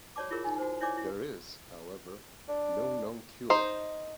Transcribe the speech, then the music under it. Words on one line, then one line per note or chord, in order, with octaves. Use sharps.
There is, however, no known cure.
F#4 C#5 D5 A5 D6
E4 F4 G#4 A#4 C#5
D#4 G#5
F#4 C5
E4 C#5 D5 G#5 D6
E4
D4
D#4 C5